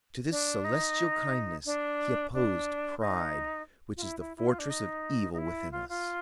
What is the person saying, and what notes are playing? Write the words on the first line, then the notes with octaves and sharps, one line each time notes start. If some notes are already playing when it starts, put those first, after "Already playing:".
To this celestial kindness he opposed pride, which is the fortress of evil within us.
D4
D#4
D4
D4
D#4
F4
E4
E4
E4
F4
D4
D#4
D#4
E4
F4
F4